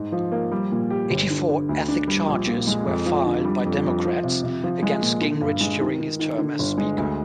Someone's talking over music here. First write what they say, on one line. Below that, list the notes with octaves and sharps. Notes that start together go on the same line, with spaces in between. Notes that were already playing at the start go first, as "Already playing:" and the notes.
Eighty-four ethics charges were filed by Democrats against Gingrich during his term as Speaker.
Already playing: G#2
F3
A#3
G3
A#2
G4
G1
D3
D3
D2
D4
G3
A#1
A#2
G#3
F2
F3
D3
G3
F2
F2
F3
C3
C3
F3
G#3
A#2
D3
G2
G#3
D#3
D#3
D#3
D3
G1
G#3
D2